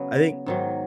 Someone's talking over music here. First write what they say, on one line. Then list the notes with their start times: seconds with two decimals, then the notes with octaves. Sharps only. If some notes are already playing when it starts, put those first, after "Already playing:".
I think,
Already playing: C#3 F#3 B3
0.46 G#2 D#3 F#3